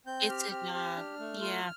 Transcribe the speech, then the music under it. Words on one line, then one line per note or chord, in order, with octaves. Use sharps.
It's a job. Yeah.
C4 G6
G4 F6
G6
C4 F6
G4
D4
A3
F4